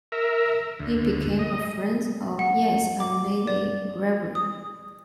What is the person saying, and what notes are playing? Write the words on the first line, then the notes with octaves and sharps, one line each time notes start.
He became a friend of Yeats and Lady Gregory.
A#4 E5
D2
D#5
F#5
D6
D5
D#6